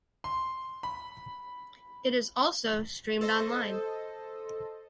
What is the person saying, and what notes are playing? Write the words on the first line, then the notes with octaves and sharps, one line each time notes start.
It is also streamed online.
C6
B5
A4 C5 D#5